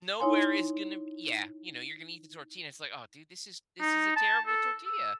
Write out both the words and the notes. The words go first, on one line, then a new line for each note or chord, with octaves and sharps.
Nowhere is gonna yeah. You know, you're gonna eat the tortilla, it's like, "Oh, dude, this is this is a terrible tortilla."
D#4 E4 C#5 G#5 C6
D#4
A5
A4
E6